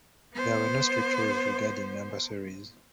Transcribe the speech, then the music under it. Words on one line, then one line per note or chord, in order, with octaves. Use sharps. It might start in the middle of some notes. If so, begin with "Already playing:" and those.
There were no strict rules regarding number series.
B3 C5